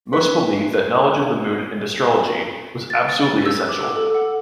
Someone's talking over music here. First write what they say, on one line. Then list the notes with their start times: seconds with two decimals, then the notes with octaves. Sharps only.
Most believed that knowledge of the moon and astrology was absolutely essential.
0.13 B4
2.90 A6
3.09 A6
3.46 E6
3.69 D6
3.96 A4
4.14 F#5